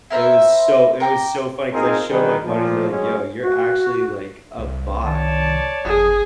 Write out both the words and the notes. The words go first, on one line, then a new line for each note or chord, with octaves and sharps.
It was so it was so funny 'cause I show my buddies, they're like, "Yo, you're actually like a bot.
E4 A#4 C5 E5
A#4 G5 A5 D6
C4 D#4 F4 G#4 A#4
D3 D#3 G3 D#4 G#4 B4
A#2 F3
F#3 G#3 C#4
F#4
C2
D#3 C#5 D5 A5
G1 F2 G#4